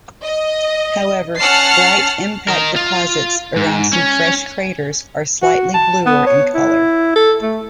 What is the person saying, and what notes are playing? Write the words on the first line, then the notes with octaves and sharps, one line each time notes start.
However, bright impact deposits around some fresh craters are slightly bluer in color.
D#5
C#4 F#5 A5 F6 A6 C7
A#4 D#5
F4
G#2
C#4
F#4
A5
B3
C#5
E4
A4
A3